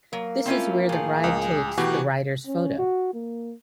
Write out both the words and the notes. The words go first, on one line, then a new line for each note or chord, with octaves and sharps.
This is where the ride takes the rider's photo.
F#3 A#3
C4 C#4 E4 F4
A2 F3 G#4
C#2
B2 D#3 E3 A3 F#4 G4
C#4
F#4
A#3